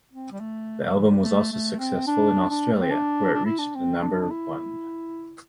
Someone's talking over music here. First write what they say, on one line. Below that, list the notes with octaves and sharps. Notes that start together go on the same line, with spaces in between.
The album was also successful in Australia, where it reached number one.
C4
G3
A3
G3
E3
G3
A3
A3
C4
D4
D4
A3
C4
D4
D4
E4
D4
C4
D4
D4
E4